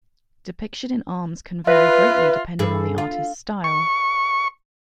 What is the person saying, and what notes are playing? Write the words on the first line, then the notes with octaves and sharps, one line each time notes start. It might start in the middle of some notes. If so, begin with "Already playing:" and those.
Depiction in arms can vary greatly depending on the artist's style.
F4 B4 E5
G2 G#4 A4
F4
C#6